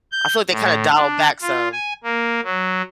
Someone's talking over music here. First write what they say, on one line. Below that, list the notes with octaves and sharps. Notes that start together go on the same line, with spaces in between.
I feel like they kinda dialed back some.
G6
A2
D4
F4
G#5
A#3
F#3